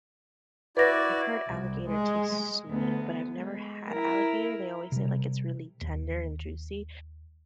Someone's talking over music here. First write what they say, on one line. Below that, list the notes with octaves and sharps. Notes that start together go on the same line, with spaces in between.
I've heard alligator taste sweet, but I've never had alligator. They always say, like, it's really tender and juicy.
E4 F#4 B4 D5 A#6
C2
G#3
D2 B3
G#3
E4 A#4
C3 G3
D#2